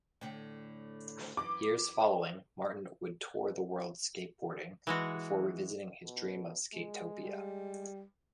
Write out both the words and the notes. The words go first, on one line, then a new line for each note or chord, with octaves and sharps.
Years following, Martin would tour the world skateboarding before revisiting his dream of Skatopia.
A2 D3
F#2 E3 D6
E3 G#3 F#4
B2
G#3
G3